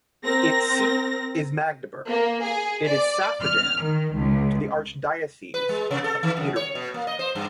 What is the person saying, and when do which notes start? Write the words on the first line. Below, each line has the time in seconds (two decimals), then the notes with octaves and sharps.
Its seat is Magdeburg; it is suffragan to the Archdiocese of Paderborn.
0.24 C4 A#4 A#6
2.08 A#3
2.43 G#4
2.86 D5
3.41 F6
3.81 D#3
4.14 C#2
5.54 B4
5.69 G#3
5.91 C3
6.04 A4
6.23 D#3
6.37 F#2
6.56 C#5
6.75 B2
6.94 A#3
7.07 D#5
7.19 C5
7.35 G2